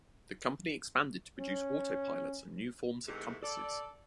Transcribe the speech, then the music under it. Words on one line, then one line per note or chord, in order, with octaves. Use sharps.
The company expanded to produce autopilots and new forms of compasses.
C#4
G#2 C3 E3 G#3 A3
A4 D5